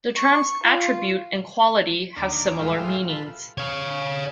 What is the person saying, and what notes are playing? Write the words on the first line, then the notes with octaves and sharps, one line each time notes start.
The terms attribute and quality have similar meanings.
C#6
F4
D#2 D3 A#3 D6
A2 F3 G3 G#3 E4 F4
F4 A4 B4
C#5 F5